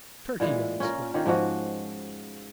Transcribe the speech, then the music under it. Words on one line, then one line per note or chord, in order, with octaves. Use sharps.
"Turkey!" I exclaimed.
A#2 E3 G#3
C#4 F4 A#4
D#3 C#4 F4 G4
G#2 F3 G#3 F#4